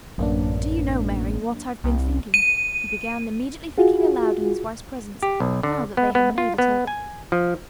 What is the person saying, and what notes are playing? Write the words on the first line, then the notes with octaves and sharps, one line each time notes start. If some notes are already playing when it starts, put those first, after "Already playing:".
"Do you know, Mary, what I've been thinking?" he began, immediately thinking aloud in his wife's presence now that they had made it up.
A1 F#2 A#3 D4
C2
D#7
F4 F#4 G#4
G4
B1
D3
B3
B3
F4
B3
G#5
F3